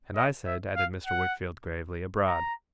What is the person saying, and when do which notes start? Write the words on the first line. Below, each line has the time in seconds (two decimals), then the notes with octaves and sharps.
'And I said' added Mr. Wickfield gravely, 'abroad.
0.15 D#5
0.46 E5
0.76 F5
1.06 F#5
2.26 A#5